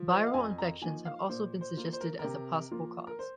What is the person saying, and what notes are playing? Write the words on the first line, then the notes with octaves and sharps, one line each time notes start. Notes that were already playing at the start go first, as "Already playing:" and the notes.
Viral infections have also been suggested as a possible cause.
Already playing: F3
C5
D#5
F5
F2 G#5
A#5
F3 A#3 D#4 G#5
F5
A#2 C5
C5
A#3 F4
C5
A#4
A#4
C3
F3 A#3 F4
A#4
C5